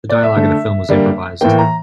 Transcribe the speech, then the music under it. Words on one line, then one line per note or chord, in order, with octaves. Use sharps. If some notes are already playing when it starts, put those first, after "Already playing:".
The dialogue of the film was improvised.
D5
E5
D3 A3
D3 G3 A#3
A2 E3 A#3 G5
A#5